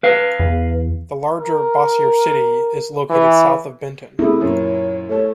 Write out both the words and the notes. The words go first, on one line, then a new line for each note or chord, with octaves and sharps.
The larger Bossier City is located south of Benton.
B4 F5
E2
A#4
E3
C3 A3 E4 G#4
F#2 A#2 C#5
A3 A4 C#5